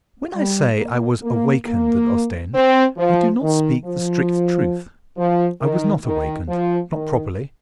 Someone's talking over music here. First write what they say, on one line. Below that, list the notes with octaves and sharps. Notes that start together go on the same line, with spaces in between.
When I say I was "awakened" at Ostend, I do not speak the strict truth. I was not awakened--not properly.
G3
A#3
A#3
A#3
C4
F3
D#3
F3
F3
D#3
D#3
F3
D#3